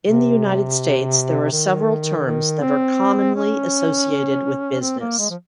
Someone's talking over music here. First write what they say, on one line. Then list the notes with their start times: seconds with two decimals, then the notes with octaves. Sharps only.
In the United States, there are several terms that are commonly associated with business.
0.06 C3
1.52 D#3
2.26 D#3
2.61 C4
3.35 C#4
4.81 C4
5.00 A#3
5.19 G#3
5.30 F3